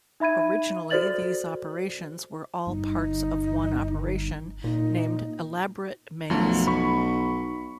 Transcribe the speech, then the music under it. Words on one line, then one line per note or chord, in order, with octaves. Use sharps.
Originally, these operations were all parts of one operation named Elaborate Maze.
D#4 E5 B5 G#6 D#7
F#4 A4 C5 D5 A6 F#7
G1 D#4
A#2 D#4
B1 F#2 F3 A3
B5 C#6